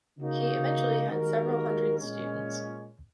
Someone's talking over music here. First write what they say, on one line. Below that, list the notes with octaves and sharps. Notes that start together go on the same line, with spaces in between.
He eventually had several hundred students.
C#3 A#3 D#4 F#4
D#2 D#3 G#3 F#4 A#4
A#2 G#3 C#4